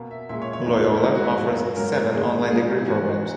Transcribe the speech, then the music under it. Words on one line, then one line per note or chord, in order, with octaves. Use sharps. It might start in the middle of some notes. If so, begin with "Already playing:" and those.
Loyola offers seven online degree programs.
Already playing: B2 A#3
E5
A#2 G#3 E5
C#5
C#5
E2 B2 A#3 D#4
E4
G#2 D#3 G#3 D#4
F#4
E4
F#2 C#3 F#3 A#3
G#2 F#3 A#3 A#4
G#2 D#3 G#3 G#4
G#2 F#3 A#3 G#4
E4
G#2 E3 A#3 F#4